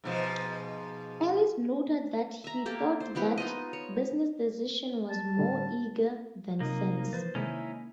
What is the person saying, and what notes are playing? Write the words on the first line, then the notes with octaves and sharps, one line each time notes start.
Ellis noted that he thought that business decision was more "eager than sense".
G#2 B2 F3
E5 A#5
A#3 G4 A4
C5
F3 B3 E4 G4
D#4 F4 D#5
C#5
A5
A2 D3 G3
C3 F#3 A#3 D#4
E3 F3 B4 C5 A6
C3 D#3 G#3 A#3 C#4 D#4 E4